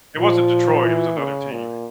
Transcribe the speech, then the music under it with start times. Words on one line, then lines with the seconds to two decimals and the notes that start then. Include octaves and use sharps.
It wasn't Detroit, it was another team.
0.19 A#2 F3
0.85 E3
1.18 C#3
1.52 A#2